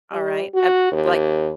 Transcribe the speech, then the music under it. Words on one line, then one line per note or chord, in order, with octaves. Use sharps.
All right. Uh like,
G3
F#4
D#2